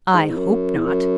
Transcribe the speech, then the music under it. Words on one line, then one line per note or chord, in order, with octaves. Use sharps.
"I hope not."
G#2
E2
F#2
E2
F#2